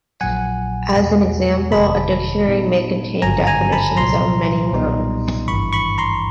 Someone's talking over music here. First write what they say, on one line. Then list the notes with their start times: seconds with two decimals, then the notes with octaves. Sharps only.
As an example, a dictionary may contain definitions of many words.
0.21 A#1 A#2 F#3 F#5 G#5
0.96 E2 B2 G#3
1.71 G1 F2 C3 D#3 A5 B5
2.47 A#2 G3 B3 D#4
3.22 G#1 G2 D3 G#5 A#5
3.47 G#5 A#5
3.72 A5 B5
3.97 C2 A#2 F#3 A#5 C6
4.73 B1 A#2 G3 B3 D#4
5.47 G#1 G2 E3 B5 C#6
5.73 B5 C#6
5.98 A#5 C6